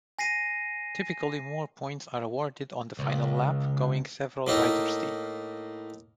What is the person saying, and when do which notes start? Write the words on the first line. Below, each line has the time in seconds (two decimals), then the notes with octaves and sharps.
Typically more points are awarded on the final lap, going several riders deep.
0.19 G#5 A#6 C7 D#7
2.99 C#2
4.47 A2 A#3 D#4 E4